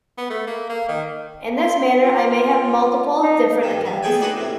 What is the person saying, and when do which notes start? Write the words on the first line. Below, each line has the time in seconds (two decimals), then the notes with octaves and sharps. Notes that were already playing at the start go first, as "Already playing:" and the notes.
In this manner I may have multiple, different accounts.
0.18 B3
0.30 A3
0.47 A#3
0.70 A#3
0.89 D#3
1.57 C6
2.02 F4
3.22 D#4
3.63 G2 D#3
3.85 G3
4.03 A3 B3 G#4 C#5 G5 G#5
4.21 D4 D#4 F#4 B4 F#5 C6
4.37 A2 C3